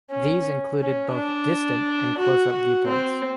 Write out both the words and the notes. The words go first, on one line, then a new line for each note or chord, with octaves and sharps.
These included both distant and close-up viewpoints.
C#4
C#4
D4
F#4
F#4
C4